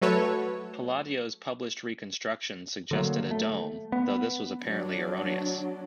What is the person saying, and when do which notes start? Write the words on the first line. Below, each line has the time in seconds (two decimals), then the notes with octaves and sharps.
Palladio's published reconstruction suggested a dome, though this was apparently erroneous.
0.02 F#3 A3 F#4 A4 B4 C#5
2.91 D3 F#3 A#3
3.31 A3
3.92 B3
4.64 F#3 D4